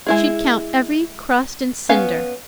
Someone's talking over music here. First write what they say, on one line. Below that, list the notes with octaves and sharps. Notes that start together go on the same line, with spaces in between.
She'd count every crust and cinder.
G#3 E4 G#4
B3 C#4 F5